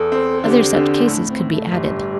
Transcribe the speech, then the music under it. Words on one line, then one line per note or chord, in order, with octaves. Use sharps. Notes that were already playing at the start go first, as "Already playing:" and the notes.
Other such cases could be added.
Already playing: E2 A4
C4
D3 G4
D3
A2 D4
C4
A2
A3
G1 G3